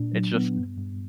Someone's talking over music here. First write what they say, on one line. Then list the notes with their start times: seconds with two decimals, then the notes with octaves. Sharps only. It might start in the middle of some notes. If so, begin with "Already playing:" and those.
it's just
Already playing: A#2 D4
0.13 F#3
0.34 B3
0.57 G2
0.78 G2